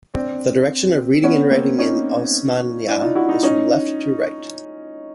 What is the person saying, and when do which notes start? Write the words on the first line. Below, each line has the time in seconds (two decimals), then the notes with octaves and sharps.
The direction of reading and writing in Osmanya is from left to right.
0.14 C4 D4
1.24 B3 C#4
1.51 A#3 C4
1.78 C#4 D#4
2.88 D4 E4
3.02 D#4 F4
3.15 E4 F#4
3.29 D#4 F4
3.43 C#4 D#4